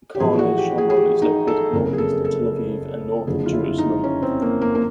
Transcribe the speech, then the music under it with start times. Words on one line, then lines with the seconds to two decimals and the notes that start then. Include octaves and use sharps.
Karnei Shomron is located northeast of Tel Aviv and north of Jerusalem.
0.15 G4
0.20 A1 A2 F3 G#4
0.39 F#4
0.58 G4
0.78 G#4
0.90 G#4
0.96 G4
1.22 D#4
1.47 A4
1.73 F#1 F2 C#3 A#4
1.93 G#4
1.98 A4
2.25 A4
3.27 F#1 F2 D3 F3 G#4
3.46 F4
3.53 E4
3.78 D#4
4.04 C#4
4.22 C4
4.42 A#3
4.61 A#3
4.75 A#3